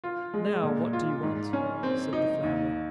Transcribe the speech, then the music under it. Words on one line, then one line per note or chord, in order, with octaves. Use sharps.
"Now, what do you want?" said the flounder.
F4
G#3
A#2
F4
G#2
C#4
C4
D#4
D#2